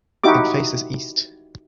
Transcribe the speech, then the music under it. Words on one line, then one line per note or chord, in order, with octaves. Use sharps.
It faces east.
D#4 E4 F#4 G4 D6